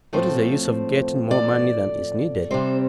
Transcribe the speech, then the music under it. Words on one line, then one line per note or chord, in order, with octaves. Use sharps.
What is the use of getting more money than is needed?
A2 F3 A3 C4 C5
D5
C3 G3 C4 C5